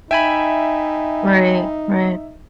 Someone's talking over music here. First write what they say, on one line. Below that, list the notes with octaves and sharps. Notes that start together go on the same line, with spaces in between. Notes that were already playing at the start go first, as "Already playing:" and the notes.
Right. Right.
D#4 E5 G5 G#5 B5